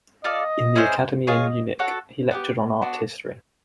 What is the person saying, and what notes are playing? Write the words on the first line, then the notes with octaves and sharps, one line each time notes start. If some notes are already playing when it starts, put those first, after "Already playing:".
In the academy in Munich, he lectured on art history.
F4 A4 D5 D#5
C#4 E4 G#4 C5
F4 G#4 C#5 D#5
F#4 A4 C#5
B3 D4 G4
B3 D4 F#4